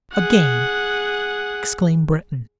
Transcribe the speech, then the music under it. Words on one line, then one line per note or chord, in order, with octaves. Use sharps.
"A game!" exclaimed Breton.
G#4 F#5